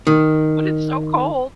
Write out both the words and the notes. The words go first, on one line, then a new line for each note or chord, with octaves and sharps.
when it's so cold.
D#3